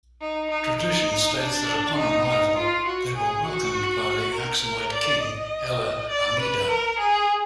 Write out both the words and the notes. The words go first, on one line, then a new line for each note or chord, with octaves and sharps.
Tradition states that upon arrival they were welcomed by the Axumite king Ella Amida.
D#4
D#4
D#4
D#4
D4
D#4
D#4
F4
F#4
G#4
F#4
A#4
A#4
D5
D#5
D5
B4
A#4
G#4